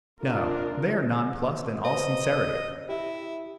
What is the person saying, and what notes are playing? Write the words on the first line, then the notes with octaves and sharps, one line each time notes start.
No, they are nonplussed in all sincerity.
D4 F4 A#4
F#4 B4 C5 D#5
E4 G4 E5